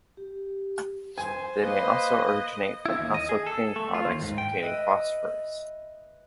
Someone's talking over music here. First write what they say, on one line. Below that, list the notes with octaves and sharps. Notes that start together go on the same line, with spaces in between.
They may also originate from household cleaning products containing phosphorus.
G4
C5 G#5
A#3 B4 D#5
E4
D#2
D#5
G#4
A4
A3
F4
D#2
G#2
G5
B4 D#5 E5